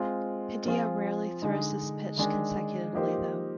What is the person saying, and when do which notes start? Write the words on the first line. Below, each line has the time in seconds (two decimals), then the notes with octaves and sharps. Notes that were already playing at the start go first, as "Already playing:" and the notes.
Padilla rarely throws this pitch consecutively, though.
Already playing: G#3 C4 F4
0.66 F3 C4 F4 G#4
1.42 D3 G#3 D#4
2.17 D#3 G#3 D4
2.93 F3 A#3 D#4 G4 C5